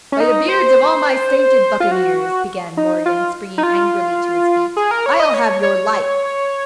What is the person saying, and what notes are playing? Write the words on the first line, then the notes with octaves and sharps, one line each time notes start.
"By the beards of all my sainted Buccaneers," began Morgan, springing angrily to his feet, "I'll have your life!"
C#4
D#4
C5
F4
F#4
D#4
F4
D#4
F4
G#4
A#4
C#5
D#5
C#5
C#5